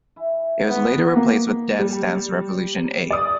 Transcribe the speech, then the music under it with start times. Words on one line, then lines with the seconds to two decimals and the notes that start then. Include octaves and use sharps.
It was later replaced with Dance Dance Revolution A.
0.16 E4 G#5
0.66 B3
1.16 A#3
1.79 G3
3.11 D5 D#6